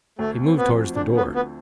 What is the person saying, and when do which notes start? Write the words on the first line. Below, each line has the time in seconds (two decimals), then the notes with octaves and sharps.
He moved towards the door.
0.19 D2 A3
0.44 C4
0.57 B3
0.70 F3
0.96 D3 D4
1.17 B3
1.23 D2
1.35 B3